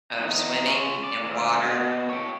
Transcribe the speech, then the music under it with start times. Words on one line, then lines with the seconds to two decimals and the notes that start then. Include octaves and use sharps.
of swimming in water
0.19 E2 D#4
0.66 G#3 C#4
1.04 D5
1.24 D2
1.60 B2
2.10 C#5 G5